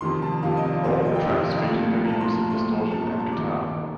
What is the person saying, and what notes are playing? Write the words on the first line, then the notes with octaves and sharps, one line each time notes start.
All of the tracks feature heavy use of distortion and guitar.
F2 C3 D#3 C6
A5
F2 C3 D#3 F5
D#5
D5
F2 C3 D#3 C5
D5
D#5
G5
F2 C3 D#3
C2 A#2 F3 A3
A#5
C2 A#2 F3 A3 A5
C6
A#5
C2 A#2 F3 A3 C6
C2 A#2 F3 A3 A5
A#5
A#5
F1 D#2 D#3 D6
D#3